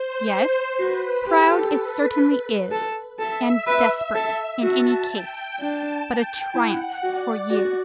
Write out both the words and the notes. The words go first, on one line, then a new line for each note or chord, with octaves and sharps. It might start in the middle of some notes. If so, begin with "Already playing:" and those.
Yes, proud it certainly is, and desperate in any case, but a triumph for you.
Already playing: C5
C5
F#4 B4
G4 A4
B4
A4
A4 E5
B4
A4
F#4 A5
G5
D4 A5
G5
E4 F#5
F#4 D5
F#4